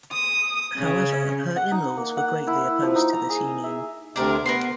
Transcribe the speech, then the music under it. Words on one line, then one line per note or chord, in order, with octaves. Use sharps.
However, her "In-Laws" were greatly opposed to this union.
D#6
C#3
F#5
D#4
A#3
F#5
E4
F3
D#4
A#5
G#4
E5
D2 C3 D4 A#4
B3 A#4 B4 C6